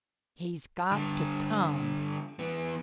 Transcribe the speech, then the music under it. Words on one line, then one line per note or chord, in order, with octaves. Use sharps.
"He's got to come!"
D3 G3
E3 B3